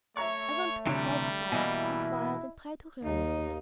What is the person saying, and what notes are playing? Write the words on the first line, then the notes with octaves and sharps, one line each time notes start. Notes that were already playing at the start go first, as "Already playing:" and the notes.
I want to be quite silent and quiet and try to realize it.
A3 C#5 E5 A#5 C#6
D2 C3 E3 G3 C#5
B2 E3 A#3 E4 D#5 G#5
D#2 D#4